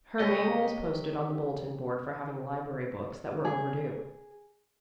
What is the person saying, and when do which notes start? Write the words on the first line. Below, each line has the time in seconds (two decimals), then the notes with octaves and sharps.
Her name was posted on the bulletin-board for having library books that were overdue.
0.20 C3 G4 C#5 D#5
3.45 G#4